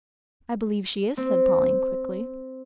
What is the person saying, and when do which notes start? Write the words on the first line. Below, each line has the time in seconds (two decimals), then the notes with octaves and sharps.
"I believe she is," said Pauline quickly.
1.17 C4